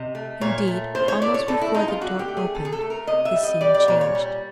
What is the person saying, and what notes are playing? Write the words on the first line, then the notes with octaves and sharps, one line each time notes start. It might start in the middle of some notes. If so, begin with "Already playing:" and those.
Indeed, almost before the door opened, the scene changed.
Already playing: C3 D#5
A3
A#2 C#5
A3
A2 C5
C#5
A3 D5
C#5
A2 A4
E4
G#3 D#4
F4
D3 F#4
G4
A3
G#4
C3 A4
G#4
A4
A3
A#4
C3 D#5
E5
G3
D#5
G3 D5
D5
A#2 C#5
C#5
G3